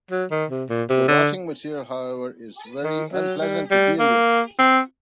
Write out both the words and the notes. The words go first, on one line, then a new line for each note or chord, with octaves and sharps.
The rotting material however, is very unpleasant to deal with.
F#3
D#3
C3
A#2
C3
D3
D#3
F#3
G3
G3
A#3
C4